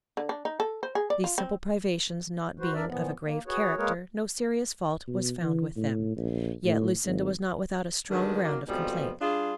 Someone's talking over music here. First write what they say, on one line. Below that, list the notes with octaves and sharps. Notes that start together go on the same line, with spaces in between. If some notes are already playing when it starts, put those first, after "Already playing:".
These simple privations not being of a grave character, no serious fault was found with them; yet Lucinda was not without a strong ground of complaint.
D3
D4
D#4
A4
C5
G#4
D5
F4
C4
F#4 B4 C5
F2 D4 A#4 D5 E5
A#2 E3 F3 B3
A#3
F#4 G#4 B4 C#5
G#3 A#3 G#4 A#4 B4 C#5
B2
E3
A2
A#1
A2
G#1
G2 D3 D#3 F#3 G#3
D#2 D#3 F#3 A#3
F2 G#2 B2 F3 G3 B3
G3 D4 F4 G#4